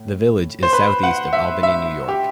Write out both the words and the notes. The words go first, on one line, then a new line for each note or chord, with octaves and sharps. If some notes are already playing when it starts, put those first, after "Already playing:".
The village is southeast of Albany, New York.
Already playing: A2
C5
B4
F#5
E5
E5
G4